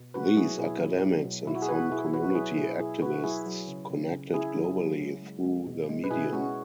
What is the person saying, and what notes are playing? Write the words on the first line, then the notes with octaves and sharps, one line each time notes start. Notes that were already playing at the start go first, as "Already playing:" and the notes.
These academics, and some community activists connected globally through the medium.
Already playing: B2
F#3 F#4 B4
F#3 E4 G#4
B2 E4 G#4
F#3
F#3
B2
B2 E4
F#4
G#4
B2 F#4 B4
B2 E4 G#4
B2 F#4 B4
B4
F#3 E4 G#4
B2 E4 G#4
B2 E4 G#4
B2 F#4 B4
F#3 E4 G#4
F#3
C#3
C#3
C#3
C#3 E4 G#4
F#3
F#3
C#3
G#3
G#3
B2
G#3
B4
B2 E4 G#4
G#3 C#4 F#4